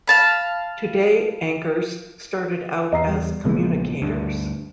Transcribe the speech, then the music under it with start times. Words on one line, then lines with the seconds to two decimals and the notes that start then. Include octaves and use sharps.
"Today" anchors started out as "Communicators".
0.08 F5 A5 B5
2.93 E2 D#5 A#5 C7
3.07 G3
3.44 A#1 C#3 G#3 A#3 B3
4.02 D2 G2